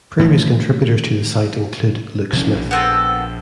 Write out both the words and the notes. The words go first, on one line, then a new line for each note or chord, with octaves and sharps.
Previous contributors to the site include Luke Smith.
A2 D#3 F3
C3 F3 C#4
A#1
B3 C4 A4